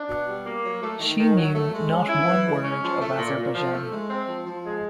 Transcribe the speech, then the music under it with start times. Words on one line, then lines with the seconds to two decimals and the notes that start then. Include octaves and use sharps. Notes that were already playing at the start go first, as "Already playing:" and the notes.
She knew not one word of Azerbaijani.
Already playing: D4
0.09 B2
0.27 G3
0.46 A#3
0.64 F#3
0.82 A3
1.00 D#3
1.19 D#3
1.36 F#3
1.55 A3
1.73 G#3
1.91 C#4
2.09 E4
2.27 E3
2.46 G#3
2.64 C#4
2.82 F3
3.00 A3
3.18 A#2
3.37 A#2
3.55 F3
3.73 A3
3.91 G#3
4.10 C4
4.27 F3
4.46 F3
4.64 G#3